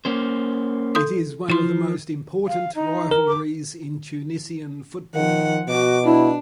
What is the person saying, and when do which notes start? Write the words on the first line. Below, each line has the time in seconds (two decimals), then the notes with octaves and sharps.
It is one of the most important rivalries in Tunisian football.
0.05 A#3 C#4 C5
0.95 A4 C6 D#6
1.50 F3 E4 C6
2.47 F5
2.75 D#4
3.11 A#4
3.27 D6
5.15 D#3 F3 F#5
5.68 B2 F#4 D6
6.04 D4 E4